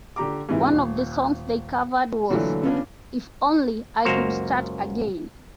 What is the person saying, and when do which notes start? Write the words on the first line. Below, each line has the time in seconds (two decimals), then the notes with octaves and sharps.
One of the songs they covered was "If Only I Could Start Again".
0.16 D3 G4 A#5 D6
0.49 G#2 C3 E3 E4
0.72 D#1
2.29 A#2 D3 E3 F#3 A3
2.63 C#3 B3 C#4 D4
4.05 C#2 F#2 A#3 F#4 C5 A#5